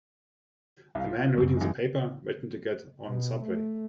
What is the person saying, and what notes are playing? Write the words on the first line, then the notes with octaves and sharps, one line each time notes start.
A man reading the paper waiting to get on subway.
C2 F5
F4
F#2 C#3 F#3
A1 G#3
B2
A3